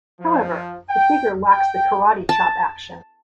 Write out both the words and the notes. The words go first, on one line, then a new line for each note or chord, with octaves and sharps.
However, the figure lacks the karate chop action.
F3
G5
G5
A5